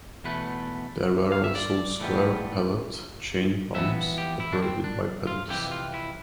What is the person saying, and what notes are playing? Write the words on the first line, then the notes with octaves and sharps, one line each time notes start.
There were also square-pallet chain pumps operated by pedals.
E2 B2 A3 B4
F5
E5
D5
A2 E3 G3 B3
F2 E3 B3 E5
G4
E4
D4
C4
D4
F4
F2 C3 E3 G4
F4
E4